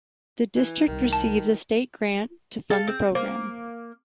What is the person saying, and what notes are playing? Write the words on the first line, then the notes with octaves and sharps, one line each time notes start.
The District receives a state grant to fund the program.
E3
C2 D#3
A5
G#4 A4 F5
C4
A#3 C5